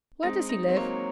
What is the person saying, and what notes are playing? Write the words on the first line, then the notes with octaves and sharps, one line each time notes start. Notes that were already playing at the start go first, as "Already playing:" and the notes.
Where does he live?'
G#3 C4 D#4
D#4
C4
F#3 A#3 C#5